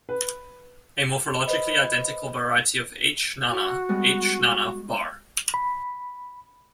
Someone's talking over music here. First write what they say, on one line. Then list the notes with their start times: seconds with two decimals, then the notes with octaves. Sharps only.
A morphologically-identical variety of "H. nana", "H. nana" var.
0.09 B4
1.46 B4 C5 D#5 B5
3.48 F#4
3.89 G3 G#3 B3
5.54 B5